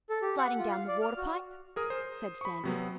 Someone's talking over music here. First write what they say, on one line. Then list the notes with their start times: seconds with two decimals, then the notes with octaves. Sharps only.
"Sliding down the water pipe," said Sandy.
0.10 A4
0.22 G4
0.38 F#5
0.58 F4
0.71 F5
0.88 D5
1.02 F6
1.18 F#4
1.76 G#4 A#4 D#6
1.90 C5
2.41 B5 C#6
2.63 C3 F#3 B3